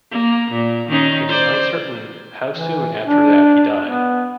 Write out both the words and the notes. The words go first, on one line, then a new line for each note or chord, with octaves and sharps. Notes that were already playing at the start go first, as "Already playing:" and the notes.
It is uncertain how soon after that he died.
A#3
A#2
D#3 C#4 D#4
C5 D5
E3
D4
B3